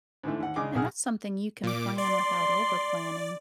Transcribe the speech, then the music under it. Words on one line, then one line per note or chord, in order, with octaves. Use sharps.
And that's something you can plan without overplanning
G#2 D3 E3 A3
D#2 F#5
C#3 G#3 D4 G#4 D6
B1 D#3 G#4 F#5 F6
A#2 D6
D5 C6